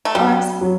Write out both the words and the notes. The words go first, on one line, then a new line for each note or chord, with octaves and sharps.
oh I'm s
A3
F#3 G3
F#3